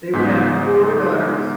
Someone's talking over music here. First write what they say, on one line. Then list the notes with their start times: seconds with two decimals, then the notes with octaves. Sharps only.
They would have four daughters.
0.13 G#2 C#3 B3 G#5 G6 B6